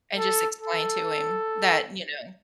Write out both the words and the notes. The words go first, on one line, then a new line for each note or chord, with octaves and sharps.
and just explain to him that, you know
A4
A4